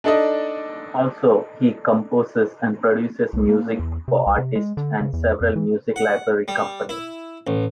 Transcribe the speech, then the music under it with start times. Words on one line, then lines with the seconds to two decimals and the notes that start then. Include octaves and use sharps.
Also, he composes and produces music for artists and several music library companies.
0.04 D4 D#4 A4 D5 D#5
3.33 C2
3.49 A#3
3.79 E2
4.08 C3
4.26 C2
4.38 C3
4.55 G#3
4.77 D3
5.01 C#3
5.13 E2
5.41 F2
5.56 E3
5.96 F#5
6.48 G3
6.89 E4
7.47 A1